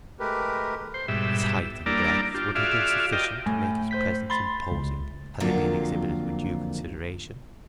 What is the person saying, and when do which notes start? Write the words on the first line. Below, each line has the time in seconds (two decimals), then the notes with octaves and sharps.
His height and breadth would have been sufficient to make his presence imposing, had they been exhibited with due consideration.
0.20 G#3 A3 G4 A#4 B4
0.94 C5
1.08 G#2 B2 G3 E5
1.86 G3 A#3 D4 E4 A#4 D5
2.34 D4 F4 G4
2.55 F4 F#4 G#4 D5 E5 F5
3.12 F4 G4 A#4 D5 D#5 G5
3.46 A2 G#5
3.91 C5 G6 B6
4.30 B5 C6 A6 G7
4.71 C#2
5.40 F2 D3 D#3 F#3 A#3 F4